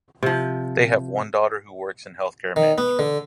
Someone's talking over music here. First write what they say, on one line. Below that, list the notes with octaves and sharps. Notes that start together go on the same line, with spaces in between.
They have one daughter who works in healthcare management.
C3 F3
D#3
B3
D3